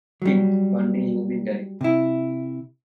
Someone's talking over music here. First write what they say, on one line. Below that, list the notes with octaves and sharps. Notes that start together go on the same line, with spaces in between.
Think: one day you will die.
F#3 G3
C3 E4